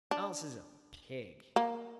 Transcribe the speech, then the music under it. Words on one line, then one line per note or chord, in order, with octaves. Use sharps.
Alice is a pig.
D4
A#3